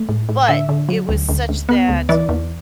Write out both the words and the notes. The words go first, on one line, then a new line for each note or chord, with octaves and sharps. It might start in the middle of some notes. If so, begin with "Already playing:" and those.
But it was such that
Already playing: A3
A2
A2
D3 E5
D3
F#3
D2
D2
D2
B3
D2
E3 D5
E2